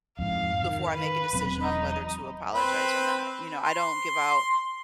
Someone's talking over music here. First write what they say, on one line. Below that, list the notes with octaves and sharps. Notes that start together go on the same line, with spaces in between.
before I make a decision on whether to apologize or not. You know, I don't give out
F2 G#2 F5
D#3
B4
E1 F#3 C4
D#4
C4 B4
C6